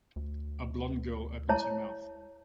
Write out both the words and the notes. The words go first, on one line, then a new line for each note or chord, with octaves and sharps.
A blond girl opens her mouth.
D2
E4 C#5 A5